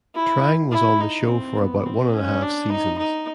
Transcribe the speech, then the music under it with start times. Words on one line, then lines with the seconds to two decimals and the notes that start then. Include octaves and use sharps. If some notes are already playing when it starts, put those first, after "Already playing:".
Trang was on the show for about one and a half seasons.
0.15 E4
0.71 E4
1.01 D#4
1.28 C4
1.57 B3
1.86 C4
2.14 C#4
2.42 D4
2.70 D#4
2.98 D#4